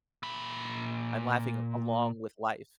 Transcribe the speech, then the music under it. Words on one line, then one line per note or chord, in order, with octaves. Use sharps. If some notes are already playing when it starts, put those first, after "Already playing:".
I'm laughing along with life.
A#2 B5